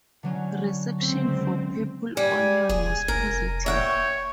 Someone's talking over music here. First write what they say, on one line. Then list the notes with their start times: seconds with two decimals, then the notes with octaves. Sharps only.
Reception for "Purple Onion" was positive.
0.23 D3 F#3 C#4
1.00 C#2 C4
2.17 G3 G#5
2.69 E1 G#4 G#5
3.08 F1 A#4
3.66 C#5 E5 F#5 G5